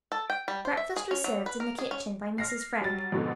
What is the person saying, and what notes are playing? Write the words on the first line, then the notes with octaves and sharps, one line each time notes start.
Breakfast was served in the kitchen by Mrs. Freg.
A4
G5
G3
C5
E5
G#4
C#4
F#3
B4
A#4
G#4
C#4
F6 A#6 C7
F#3 G3 A6
F2 G#2 B2 D3